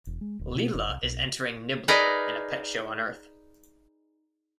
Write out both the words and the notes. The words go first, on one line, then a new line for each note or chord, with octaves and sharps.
Leela is entering Nibbler in a pet show on Earth.
E1
G#3
D1
B2
F1
C2
B1
D#4 G#4 A#4 B4 D5 D#5